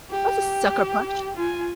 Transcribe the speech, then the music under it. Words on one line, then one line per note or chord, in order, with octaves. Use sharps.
That's a sucker punch.
G4
F4 G#5